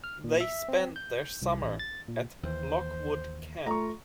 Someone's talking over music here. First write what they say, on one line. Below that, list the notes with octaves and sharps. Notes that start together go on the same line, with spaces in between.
They spent their summer at Lockwood camp.
F6
A#2
E5
C4
G6
C2
A1
A6
A#2
D#2 E3 C5
A3 F4 A#5 C#6